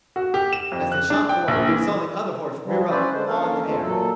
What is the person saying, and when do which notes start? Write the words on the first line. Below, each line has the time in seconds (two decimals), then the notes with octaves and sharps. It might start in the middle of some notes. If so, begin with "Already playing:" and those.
As they shot forward, he saw the other horse rear up, pawing the air.
0.16 F#4
0.34 G4
0.53 E7
0.72 F2
0.92 F#6
1.10 D4
1.29 G5
1.48 A#1
1.69 E3
2.66 E3 F3 G3
2.90 C#4 E4 B4 C5 D5
3.12 D3 G#3 A3 C5
3.27 A#3 C#4 D4 A4 A#4 F5
3.64 F2 E3 F3 G#3 A3 D4
3.82 A#2 F#3 A4